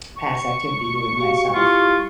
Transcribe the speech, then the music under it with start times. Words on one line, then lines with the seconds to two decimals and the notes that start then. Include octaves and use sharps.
past activity doing myself,
0.16 C#6
1.17 F#4 G4 F5
1.54 G3 E4 F4 G4